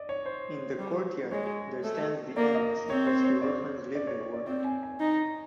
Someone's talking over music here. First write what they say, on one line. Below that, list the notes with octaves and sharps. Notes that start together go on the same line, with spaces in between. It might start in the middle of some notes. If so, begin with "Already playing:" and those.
In the "Courtyard" there stands the annex in which the orphans lived and worked.
Already playing: D5 D#5
C#5
C5
G3
G#3 C#5
A3
A#3 D5
D#5
C4 C#5
C5
C#5
D5
D5
C#5
C#5
D5
C4 D5
G#5
G#5
D#4